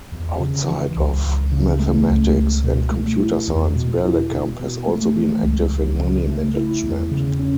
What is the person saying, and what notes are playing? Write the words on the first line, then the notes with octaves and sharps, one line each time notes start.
Outside of mathematics and computer science, Berlekamp has also been active in money management.
E2
C#3
E3
C#2
C#2
C#3
A3
C#2
C#2
B2
A3
E4
E2
B2
E4
B2
B2
A3
E3
C#2
C#2
C#3
A3
E4
E2
C#3
C#4